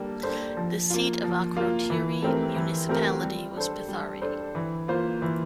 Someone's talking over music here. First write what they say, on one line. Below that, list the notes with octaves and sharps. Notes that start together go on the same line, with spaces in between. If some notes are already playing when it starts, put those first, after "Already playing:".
The seat of Akrotiri municipality was Pythari.
Already playing: G3 A#3 D4 A4
A#3 D4 A4 C5
F3
A#3 F4
F3
A#3 F4
E3
A3 C4 G4 A#4
E3
A3 C4 G4 A#4
G3
D4 A4 C5
G3
D4 A4 C5
E3
A#3 F4 C5
E3